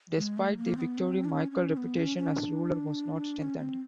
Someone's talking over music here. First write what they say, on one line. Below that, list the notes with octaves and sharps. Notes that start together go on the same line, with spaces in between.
Despite the victory, Michael's reputation as ruler was not strengthened.
G#3
A3
A#3
C4
B3
C4
D4
C#4
C#4
B3
C#4
C#4
D4
D4
C#4
C4